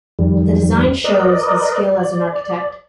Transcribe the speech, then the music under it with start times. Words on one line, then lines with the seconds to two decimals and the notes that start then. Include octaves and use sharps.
The design shows his skill as an architect.
0.19 F2 D#3 G3
1.04 A#4 B4 D5 D#5
1.94 D5